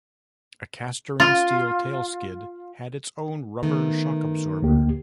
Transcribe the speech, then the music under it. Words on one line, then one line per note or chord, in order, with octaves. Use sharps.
A castoring steel tailskid had its own rubber shock absorber.
F4
D#3 A3 B3
D2 A#3 G4